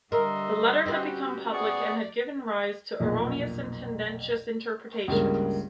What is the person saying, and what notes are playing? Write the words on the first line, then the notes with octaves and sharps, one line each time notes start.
The letter had become public and had given rise to erroneous and tendentious interpretations.
D3 G3 A#4 D#5 E5 C6
C4 C#4 F#4 G4 B4
B3 G#4 D5 C#6
B1 F2 A#2
C#2 G2 A#3